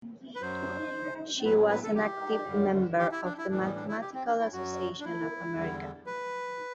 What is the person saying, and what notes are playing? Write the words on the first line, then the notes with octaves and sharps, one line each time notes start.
She was an active member of the Mathematical Association of America.
B4
F#2 F#3 C5
A2 F#3 B4
B4
A4
G4
F#2 D3 G3
G4
E4
D4
E4
A2 E3 G3 D4
B3
D4
E4
G4
C4
D4
E4
F#2 F#3 F#4
D4
E4
E2 D3 G3
B4